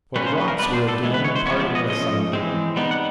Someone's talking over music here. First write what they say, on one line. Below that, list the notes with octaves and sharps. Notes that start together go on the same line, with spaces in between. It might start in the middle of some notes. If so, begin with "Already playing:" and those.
For the rocks were again parting asunder.
G3 A#3 C#4 B4
C5
B4
A#4
G3 B3 D4 B4
C5
A4
E3 G#3 B3
B4
C#5
C5
F3 G#3 B3 C#5
D5
D#5
F3 A3 C#4 D#5
E3 G#3 C4
G3 B3 D#4
F#5